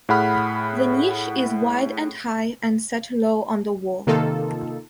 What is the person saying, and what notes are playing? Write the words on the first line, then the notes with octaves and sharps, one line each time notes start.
The niche is wide and high and set low on the wall.
A2 G#4 F#5 B5 F6
C3 D#3 A#3 D#4 F4 A4